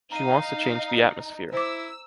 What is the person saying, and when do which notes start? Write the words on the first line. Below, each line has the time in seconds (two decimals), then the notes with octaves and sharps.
She wants to change the atmosphere.
0.12 D#4 F5 A#5 D#7
1.53 E4 C5 D6 E6